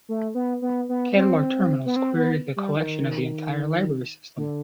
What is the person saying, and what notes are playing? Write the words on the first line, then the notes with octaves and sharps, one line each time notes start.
Catalog terminals query the collection of the entire library system.
A3
B3
B3
B3
C4
B3
C4
B3
G3
D#3
D3